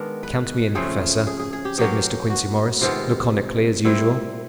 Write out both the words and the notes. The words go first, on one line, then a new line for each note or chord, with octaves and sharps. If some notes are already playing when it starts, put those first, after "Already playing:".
"Count me in, Professor," said Mr. Quincey Morris, laconically as usual.
Already playing: D#3 G#3 B3 D4 A#4
B4
C#3 F3 A3 C4 G#4
G#4
G#4
G#4
G4
B2 F#3 A#3 C#4 G4
F#4
C3 D#3 G#3 B3 F4
A#2 G3 C4 E4